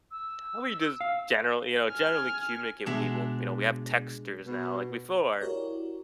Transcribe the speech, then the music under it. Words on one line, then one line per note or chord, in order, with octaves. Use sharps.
How we just generally, you know generally communicate with people. You know, we have texters now, like, before,
E6
F5
G#5 F6
B2 G#3 D4 E5
B2
E4 F#4 G4 A#4 C#5 D5